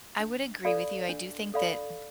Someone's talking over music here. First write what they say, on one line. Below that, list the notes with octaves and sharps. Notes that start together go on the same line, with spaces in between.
I would agree with you. I do think that th
D4
A4 D5 F5 B5
D4
A4 D5 F5 B5